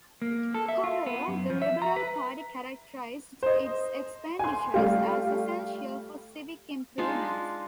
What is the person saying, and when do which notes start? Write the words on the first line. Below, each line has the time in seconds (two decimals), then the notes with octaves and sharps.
However, the Liberal Party characterized its expenditures as essential for civic improvements.
0.22 A#3
0.54 A4
0.68 E5
0.84 F4
1.06 B3
1.28 F#2
1.50 F3
1.62 E5
1.82 A#5
1.96 B4
3.43 C5 D#5
4.39 G#5 C6
4.74 G3 A3 F4 G4
6.98 G#3 D4 D#4 F4